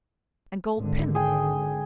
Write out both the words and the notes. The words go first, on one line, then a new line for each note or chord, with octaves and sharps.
And gold pin.
G#1 D3
G#4 G5